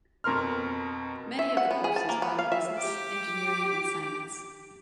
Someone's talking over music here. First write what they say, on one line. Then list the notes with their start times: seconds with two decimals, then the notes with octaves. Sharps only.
Many of the courses were in business, engineering and science.
0.24 F2 B2 A#4 C6 F6
1.39 E5
1.57 F#5
1.71 B3
1.84 G#4
1.96 A5
2.09 A#3
2.22 B3
2.39 F5
2.52 E5
2.79 G4 D6